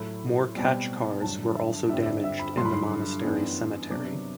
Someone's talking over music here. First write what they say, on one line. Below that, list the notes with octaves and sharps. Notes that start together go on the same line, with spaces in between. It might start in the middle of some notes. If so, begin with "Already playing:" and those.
More khachkars were also damaged in the monastery cemetery.
Already playing: A2 F#3 A3 B5
B2 G3 C4
G2 D3 F#3 A5
E5
G2 D3 G3 C4 E5
E5
D5
E5
B5
G2 D3 F#3 C6
B5
C6
F#2 E3 G3 B3 D4
C3 F#3 B3 D4 D6